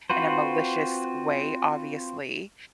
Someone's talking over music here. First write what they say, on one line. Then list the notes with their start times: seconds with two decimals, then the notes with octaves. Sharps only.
in a malicious way, obviously."
0.10 C4 F4 F#4 B4 C5